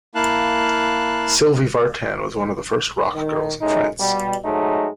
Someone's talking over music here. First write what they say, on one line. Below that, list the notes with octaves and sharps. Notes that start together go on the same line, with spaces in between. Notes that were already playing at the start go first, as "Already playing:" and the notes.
Sylvie Vartan was one of the first rock girls in France.
A#3 E4 F5 A5 F#6
D#3
F#2 A2 G#3 D#4
B2 G3
G#2 F#3 G#3 A3 D#4